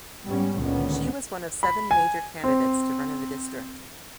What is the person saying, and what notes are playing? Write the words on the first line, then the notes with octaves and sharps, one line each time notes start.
She was one of seven major candidates to run in the district.
G#2 G3 B3 C#4
C#2 A#2 D3 D#3 B3 C#4
B5
G#5
C4